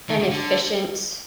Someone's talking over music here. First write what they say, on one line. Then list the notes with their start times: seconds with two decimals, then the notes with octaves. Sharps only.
an efficient,
0.09 D#3
0.20 D3
0.30 D3